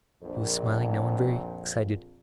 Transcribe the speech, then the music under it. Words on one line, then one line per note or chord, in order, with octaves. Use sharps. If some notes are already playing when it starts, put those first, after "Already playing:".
He was smiling now and very excited.
A#1 F2